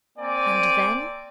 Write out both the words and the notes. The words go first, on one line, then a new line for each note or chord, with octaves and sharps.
"And then?"
A#3 C4 D5 G#5